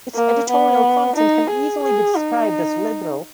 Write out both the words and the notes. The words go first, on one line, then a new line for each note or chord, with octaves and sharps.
Its editorial content can easily be described as "liberal".
A#3
B3
D#4
G#4
G#4
D#4